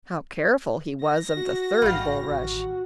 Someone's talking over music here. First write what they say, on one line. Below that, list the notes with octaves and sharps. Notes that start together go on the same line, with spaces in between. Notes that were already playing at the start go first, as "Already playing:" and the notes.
How careful he was of the third bulrush!
A#6
F#4
A1 G#2 G3 F5
A1 D#3